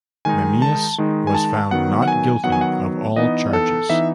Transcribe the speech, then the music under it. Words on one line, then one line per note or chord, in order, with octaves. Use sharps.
Memmius was found not guilty of all charges.
D#3 G#3 D#4 G#5
A5
D#3 G#3 D#4
G#5
A5
D#3 F#3 B3 F#5
F#5
G#5
D#3 F#3 B3 F#5
G#5
F#5
E3 B3 D#4 D#5
A4
E3 B3 D#4 E5